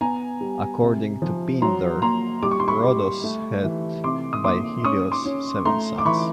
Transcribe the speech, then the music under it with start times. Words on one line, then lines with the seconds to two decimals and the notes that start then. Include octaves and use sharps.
According to Pindar, Rhodos had, by Helios, seven sons.
0.01 B3 G#5 A#5
0.41 G3
0.82 C3
1.22 F3
1.62 F#3 A#5 C6
2.02 A#3 A#5 C6
2.43 G3 D6
2.51 C#6
2.60 C6
2.68 B5 C#6
2.83 G3
3.24 A3
3.64 E3
4.04 C3 C6 D6
4.33 D#6
4.44 A#3 C6 D6
4.84 C#4 C#6 D#6
5.12 C6 D6
5.26 C#4
5.65 A3 A#5 C6
5.98 D6
6.05 E3 B5 C#6